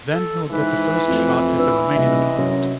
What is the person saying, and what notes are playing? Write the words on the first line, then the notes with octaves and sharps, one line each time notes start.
Then he will get the first shot at the remaining opponent.
A4
G#2 E3 B4
F2 A3 E4
D4 B4 E6
D#1 C3 D#5 E5
F#2